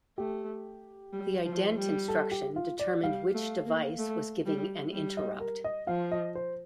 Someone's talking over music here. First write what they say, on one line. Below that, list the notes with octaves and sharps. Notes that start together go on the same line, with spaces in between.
The "ident" instruction determined which device was giving an interrupt.
A3 G4
G3
F3
G3
A4
G4
F4
D5
G3 F5
A3
A#3
A3
G3
G3
D#5
A#4
D#5
F3 F5
D#5
C5